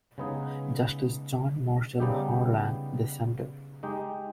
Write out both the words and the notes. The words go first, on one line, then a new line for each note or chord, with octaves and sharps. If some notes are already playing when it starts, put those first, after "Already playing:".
Justice John Marshall Harlan dissented.
C#3 G#3 B3 D#4 G#4
C#3 G3 B3 D#4 G4
G#3 D#4 G4